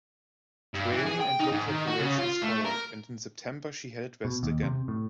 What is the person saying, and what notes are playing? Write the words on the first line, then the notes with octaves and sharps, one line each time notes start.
Training and local operations followed and in September she headed west again.
G2
E3
G#4
G5
D#4
G#2
D#3
F#4
C#3
F4
A3
A#4
B2
D#2
C3
A2